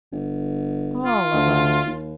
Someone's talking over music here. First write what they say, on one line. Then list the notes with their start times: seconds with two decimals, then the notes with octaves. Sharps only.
"All of us."
0.12 G1
1.05 F4
1.33 D2
1.85 D#2